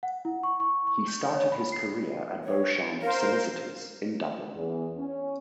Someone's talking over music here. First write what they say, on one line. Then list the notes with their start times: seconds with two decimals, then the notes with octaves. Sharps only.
He started his career at Beauchamps Solicitors in Dublin.
0.03 F#5
0.25 E4
0.43 C#6
0.60 C#6
0.87 C#6
1.08 G6
1.34 C#5
1.52 B5
1.72 C7
2.44 C#5
3.02 A#4 C5 F5
4.54 E2
4.97 C#4